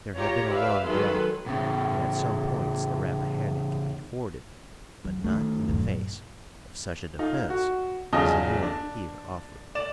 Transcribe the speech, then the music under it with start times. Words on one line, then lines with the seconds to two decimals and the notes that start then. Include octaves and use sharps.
There had been a long drought, and at some points the Rappahannock could be forded, but not in the face of such a defence as the North here offered.
0.17 F4 G4 C#5 A#5
0.49 G4 B4 D5 E5 F5
0.85 D#3 F#3 G#3 A4 B4 C6
1.46 A2 C#3
5.05 F#3
5.24 D3 D#3 A3
5.69 F#2 A#2
7.19 D#4 F4
7.50 F#4
8.13 B1 E2 C#3 F4 D#5 G7
8.63 D4
9.75 D5 E7